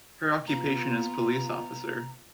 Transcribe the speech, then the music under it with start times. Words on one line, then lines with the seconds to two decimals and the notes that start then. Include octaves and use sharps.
Her occupation is police officer.
0.47 B3 F4 A#5